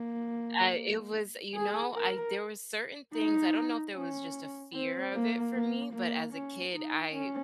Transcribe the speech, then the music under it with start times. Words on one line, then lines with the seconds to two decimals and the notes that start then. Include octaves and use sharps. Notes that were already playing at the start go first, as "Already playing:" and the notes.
I it was you know, I there were certain things I don't know if there was just a fear of it, for me, but as a kid, I
Already playing: A#3
1.54 G#4
1.94 A#4
3.14 D#4
3.94 C#4
4.73 C4
5.13 A#3
5.54 A#3
5.93 A#3
6.33 C#4
6.73 D#4
7.12 C#4